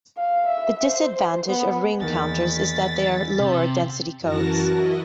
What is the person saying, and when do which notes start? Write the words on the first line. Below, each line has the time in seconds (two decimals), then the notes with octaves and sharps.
The disadvantage of ring counters is that they are lower density codes.
0.17 F5
0.47 E5
0.84 C5
1.48 B3
2.01 E2 D#3 A#3 A6 B6
3.40 C3
4.20 F#2 E3 F#4 A#4 A5 A#6
4.71 E4 F#4 D#5